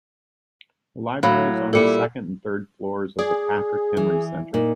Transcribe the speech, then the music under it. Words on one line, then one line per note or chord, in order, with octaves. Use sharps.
The library is on the second and third floors of the Patrick Henry Center.
A2 F#3 F5 B5
A#2 G3 E4 A4 C#7
G#4 D5
E3
A#2 D#4